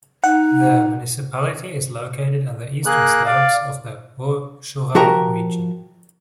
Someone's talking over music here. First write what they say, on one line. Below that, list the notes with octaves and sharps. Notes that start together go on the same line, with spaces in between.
The municipality is located on the eastern slopes of the Haut-Jorat region.
D#4 F#5
A#3 G#4 F#6
D5 F5
F3 F#4 G4 A#4 A#5